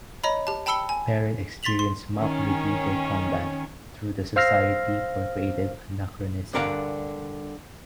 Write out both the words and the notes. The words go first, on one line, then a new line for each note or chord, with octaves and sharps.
Perrin experienced mock medieval combat through the Society for Creative Anachronism.
C#5 D#5 A#5 B5
G4 A5
G5 A5 B5 E6 C#7 G7
G#5
C6 A6 B6 F7 F#7
C6
D#3 C#4
C5 F5 E6 F6 A#6 C7
G2 D3 A#4 F5 F#5